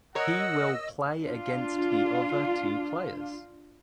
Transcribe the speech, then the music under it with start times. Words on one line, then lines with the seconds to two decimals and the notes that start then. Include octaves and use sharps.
He will play against the other two players.
0.15 A#4 C#5 D#5 F#5 E6
1.22 D4 F4